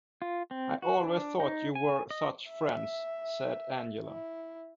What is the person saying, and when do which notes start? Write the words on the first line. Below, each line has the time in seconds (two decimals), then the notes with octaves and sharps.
"I always thought you were such friends," said Angela.
0.22 F4
0.51 C4
0.82 F#4
1.04 D4
1.40 D#4
1.75 G#5
2.11 D#5
2.49 E5
4.06 E4